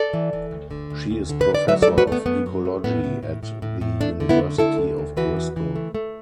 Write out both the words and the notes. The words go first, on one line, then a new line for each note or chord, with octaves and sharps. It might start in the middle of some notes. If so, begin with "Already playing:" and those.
She is professor of ecology at the University of Bristol.
Already playing: A4 D5
E3
E3
D2
D3
D2
D2
D3
B4
D3
D5
F#3 B4 E5
A4 D5
A3
F#4 B4
A3 B3
F#2 B3
F#3
A3
A2 B3
A2
A2
A2
A2
A2
A3 D4
D3
B3 E4
A3
D3 E4 A4
D2
D2
E3 F#4 B4
E2
E3
A3
A3